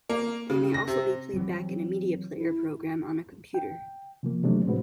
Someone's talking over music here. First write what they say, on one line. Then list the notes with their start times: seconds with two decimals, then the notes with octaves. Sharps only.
They may also be played back in a media player program on a computer.
0.09 A#3
0.50 C#3
0.74 A#6
0.88 C3
1.34 E3 F#3 G3 C4
2.36 E4
3.54 G5
4.23 C3 F3 A#3
4.44 C3 E3 F#3 A3 C4 D4
4.66 A2 G#3 C4 F#4 B4